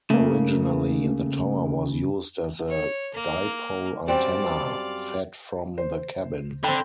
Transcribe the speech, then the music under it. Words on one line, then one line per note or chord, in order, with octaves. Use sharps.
Originally the tower was used as a dipole antenna, fed from the cabin.
C#3 A3 A#3
C#5
A#3
F#2 G3 C4 D5 F5
C5
D3 C4 G5 B5